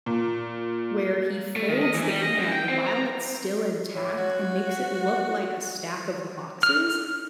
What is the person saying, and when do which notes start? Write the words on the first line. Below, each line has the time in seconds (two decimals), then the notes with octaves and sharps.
where he folds the can while it's still intact and makes it look like a stack of boxes,
0.06 A#2
1.56 A3
1.69 D#3
1.82 D#5
1.94 E3
2.08 G3
2.22 D#5
2.38 F#2
2.52 G5
2.69 C4
2.86 A#5
3.95 A2 C#5
4.17 F#4
4.80 F#5
6.63 F6